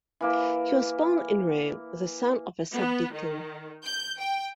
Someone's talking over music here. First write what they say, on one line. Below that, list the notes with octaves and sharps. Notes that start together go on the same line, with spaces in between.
He was born in Rome, the son of a subdeacon.
E3 A#3 E4
B3
D#3
G6
G5